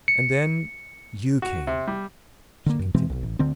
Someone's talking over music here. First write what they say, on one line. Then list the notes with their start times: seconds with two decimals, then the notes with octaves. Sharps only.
"And then you came," she continued.
0.08 C#7
1.42 F#4
1.67 C3
1.88 G3
2.66 D3 A#3
2.79 F#2
2.94 B2 E3 G#3 C4
3.10 B1
3.23 A1
3.39 D2 D3 C4